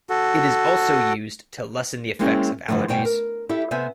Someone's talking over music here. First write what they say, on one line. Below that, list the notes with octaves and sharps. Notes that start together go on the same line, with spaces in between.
It is also used to lessen the effects of allergies.
F#4 A4
G#3 A#3 C4 C#4 E4 G#4
G2 D3 E3 F3 A3
G2 B2 C5 G5 G#5
A#4
E4 G4 A4 E5
C3 B3 C5 E5 G#5